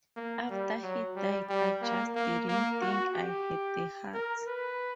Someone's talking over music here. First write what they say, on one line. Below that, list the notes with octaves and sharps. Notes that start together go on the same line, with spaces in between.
After he died I just didn't think I had the heart.
A#3
G3
F#3
G3
G3
A#3
A#3
A#3
F#4
G4
A#4
B4